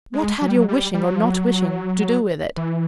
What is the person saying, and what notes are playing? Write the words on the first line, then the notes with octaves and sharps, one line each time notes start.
What had your wishing or not wishing to do with it?
G#3
F#3
G3
F#3
G3
G3
F#3
F3
F#3
E3